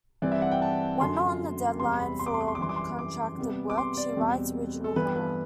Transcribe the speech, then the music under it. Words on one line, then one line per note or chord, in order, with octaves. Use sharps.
When not on deadline for contracted work, she writes original horror.
G2 E3 G3 C4 D5
E5
F#5
G5
A5
F#2 D3 F#3 C6
E2 C3 G3 C4 C6
B5
C6
D6
C6
D6
C6
D6
F#2 E3 G3 C6
D6
C6
D6
C3 G3 B3
D6
C6
D5
E2 B2 G3 C4
A4
G2 E3 B3 B4
B4